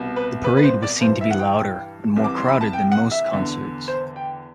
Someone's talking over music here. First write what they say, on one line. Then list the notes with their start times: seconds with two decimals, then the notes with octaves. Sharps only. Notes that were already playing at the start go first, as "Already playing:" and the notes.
The parade was seen to be louder and more crowded than most concerts.
Already playing: C2 B2
0.16 B4
0.44 B4
0.57 B4
0.64 C5
0.83 D5
1.01 G2 E3 C5
1.21 E5
1.31 F#5
1.39 G5
2.16 C2 C3 E3
2.24 D6
2.36 C6
2.48 B5
2.61 A5
2.73 G5
2.92 F#5
3.12 E5
3.31 E2 D3
3.88 C5
4.16 G5